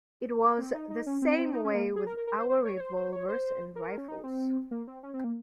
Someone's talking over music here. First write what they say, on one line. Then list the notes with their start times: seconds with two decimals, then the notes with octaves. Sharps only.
It was the same way with our revolvers and rifles.
0.58 C4
0.74 D#4
0.90 D#4
1.06 C#4
1.22 C4
1.38 C4
1.53 D#4
1.65 C#4
1.74 A#3
1.96 G#4
2.07 A#4
2.17 A#4
2.27 A#4
2.38 C5
2.49 C5
2.65 C#5
2.77 C#5
2.80 C5
2.96 C5
3.12 C#5
3.29 C5
3.76 A#4
3.98 C#4
4.08 D#4
4.24 C4
4.71 A#3
4.87 C4
5.03 C#4
5.14 C4
5.24 A#3